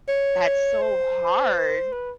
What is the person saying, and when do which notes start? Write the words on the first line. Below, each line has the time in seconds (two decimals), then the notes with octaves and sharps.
That's so hard.
0.08 C#5
0.82 C5
1.92 B4